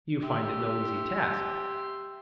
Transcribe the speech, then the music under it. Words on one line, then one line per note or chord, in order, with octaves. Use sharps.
You find it no easy task.
G4 E5 C6